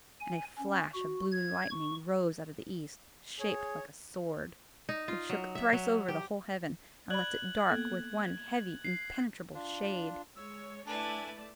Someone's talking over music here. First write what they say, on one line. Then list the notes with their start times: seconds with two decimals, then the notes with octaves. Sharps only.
And a flash of blue lightning rose out of the east, shaped like a sword; it shook thrice over the whole heaven, and left it dark with one heavy, impenetrable shade.
0.21 G#5
0.58 C#4
0.94 F#4
1.32 G#6
1.71 C#6
3.40 G#4 C#5
4.89 D#4
5.08 F4
5.29 F#3
5.55 E5
5.73 F#3
6.08 G4
7.10 D5 B5 F#6 G#6 F#7
7.70 A#3 B3 A4 F#6 G#6
8.84 C7
9.54 D4 F4
10.36 G#3 C#5 E6
10.87 A3 D4 E4 B4 D5 G#5 A5